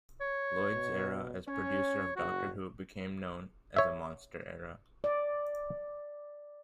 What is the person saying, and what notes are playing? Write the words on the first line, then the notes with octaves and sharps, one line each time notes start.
Lloyd's era as producer of "Doctor Who" became known as a monster era.
C#5
B2
C#4 C#5
F#1 F#4
C#5 E5
D5